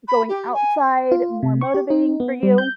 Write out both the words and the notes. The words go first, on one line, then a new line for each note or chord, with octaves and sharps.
going outside more motivating for you?
B5
G4
G#5
F4
C3
C#6
G4
D#4
B3
G3
G6